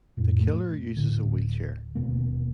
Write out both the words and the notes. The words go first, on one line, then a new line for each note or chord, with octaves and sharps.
The killer uses a wheelchair.
F2 A2
A3
D1 A2 D3
D#1 B2 A#3